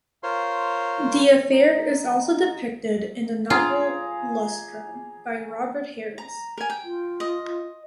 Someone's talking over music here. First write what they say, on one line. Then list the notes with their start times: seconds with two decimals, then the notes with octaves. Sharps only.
The affair is also depicted in the novel "Lustrum" by Robert Harris.
0.23 F4 A#4 C5 C#5 C6
1.52 D#4
3.50 F4 G#4 A#5 D6
6.18 A#5
6.58 A#4 G#5
6.70 G5
6.85 F4
7.20 D#5